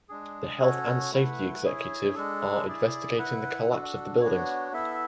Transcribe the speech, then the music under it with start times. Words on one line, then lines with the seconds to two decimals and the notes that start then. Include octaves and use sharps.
The Health and Safety Executive are investigating the collapse of the buildings.
0.09 G#3 D4 G#4
0.60 C#4 F#4 A4 C#5
1.12 A3 E4 B4 F#5
1.63 E4 G#4 C#5
2.15 G#3 D4 A4
2.67 E4 G#4 D5
3.18 E4 B4 F#5
3.70 D4 F#4 A4
4.21 B3 D4 F#4 C#5
4.72 B3 E4 A4 E5